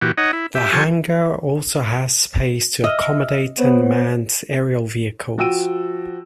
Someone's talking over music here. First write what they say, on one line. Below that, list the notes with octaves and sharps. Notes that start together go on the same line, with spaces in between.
The hangar also has space to accommodate Unmanned aerial vehicles.
A#2 E3 F#4 G4
D#4 C#5 D#5 F#5
E4
G4 E5
F3 G4 A4 G#5 C#6
D#5 E5 E6 F6
B3 C5 C#5
F3 F#4 G5 E6 D7 D#7